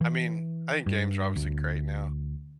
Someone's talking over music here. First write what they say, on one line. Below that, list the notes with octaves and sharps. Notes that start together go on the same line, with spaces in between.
I mean, I think games are obviously great now.
E3
G2
D2